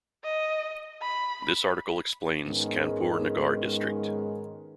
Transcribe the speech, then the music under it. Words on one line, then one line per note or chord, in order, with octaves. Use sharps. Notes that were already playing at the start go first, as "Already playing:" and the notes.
This article explains Kanpur Nagar district.
D#5
B5
G#2 D#3 G#3 B3 C#4